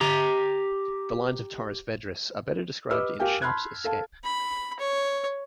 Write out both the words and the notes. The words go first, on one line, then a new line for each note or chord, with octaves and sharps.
The lines of Torres Vedras are better described in "Sharpe's Escape".
G4 A#5
G4 B4 D#5 D6 E6 F6
G4 A#4 F5 G5 G#5
A5 B5 C6 F6 F#6 G#6
A4 F5 A5
B5
C#5